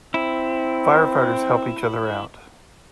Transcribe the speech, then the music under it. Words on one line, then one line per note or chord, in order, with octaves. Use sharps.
Firefighters help each other out.
C4 E4